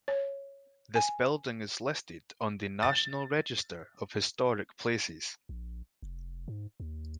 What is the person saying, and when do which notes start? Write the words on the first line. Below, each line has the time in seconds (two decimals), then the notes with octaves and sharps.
This building is listed on the National Register of Historic Places.
0.08 C#5
0.96 G#5
2.83 A6
5.49 A#1
6.02 F1
6.48 G#2
6.80 D#2